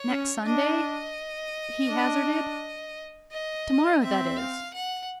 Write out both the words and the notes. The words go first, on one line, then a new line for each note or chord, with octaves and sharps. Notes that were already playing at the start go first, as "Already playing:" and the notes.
"Next Sunday?" he hazarded. "To-morrow, that is?"
Already playing: C#5
C#4
D4 D#5
D4
D#5
C4 E5
F5
F#5